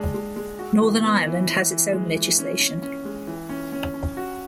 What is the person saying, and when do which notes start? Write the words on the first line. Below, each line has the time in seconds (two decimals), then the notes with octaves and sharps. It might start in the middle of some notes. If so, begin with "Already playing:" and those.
Northern Ireland has its own legislation.
Already playing: G#3 D4
0.14 G#3
0.36 G#3
0.59 F#4
0.81 E3
1.04 B3
1.26 E3
1.49 E3
1.71 E3
1.93 G#3
2.16 E3
2.38 C#4
2.60 C#4
2.82 C#4
3.05 G#3
3.27 E3
3.49 C#4
3.72 C#4
3.94 C#4
4.17 F#4